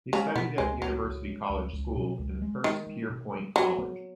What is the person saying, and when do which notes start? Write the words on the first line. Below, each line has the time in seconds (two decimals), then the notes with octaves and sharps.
He studied at University College School and Hurstpierpoint College.
0.13 C#3 G#3 C#4
0.35 B2 B3
0.58 C#2 G#3
0.81 C#2 F#3
1.04 C#2
1.28 G#3
1.50 C#2
1.73 C#2
1.96 B2
2.19 C#2
2.42 G#3
2.64 D#3 G#3
2.87 G#3
3.10 B2
3.33 G#3
3.56 F#3 B3
3.78 B3